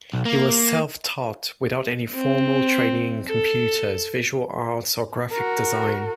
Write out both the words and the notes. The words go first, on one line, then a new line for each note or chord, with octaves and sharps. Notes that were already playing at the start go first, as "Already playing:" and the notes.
He was self-taught, without any formal training in computers, visual arts, or graphic design.
B1
A#3
C4
A4
F#4 A#4